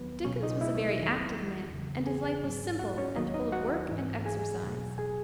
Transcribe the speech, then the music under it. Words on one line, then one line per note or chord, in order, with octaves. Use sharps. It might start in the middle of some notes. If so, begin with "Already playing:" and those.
Dickens was a very active man, and his life was simple and full of work and exercise.
Already playing: D#2 D#3 F#3 B3 B4
C#2 B2 F#3 C#4 C#5
D#4 D#5
E4 E5
E2 D#3 F#3
E2 C#3 E3
G#4 G#5
G#2 F#3
F#4 F#5
C#4 C#5
D#2 D#3 F#3 D#4 D#5
D#4 D#5
F#4 F#5
G#2 E3
G#4 G#5
E2 B2 F#3
G#4 G#5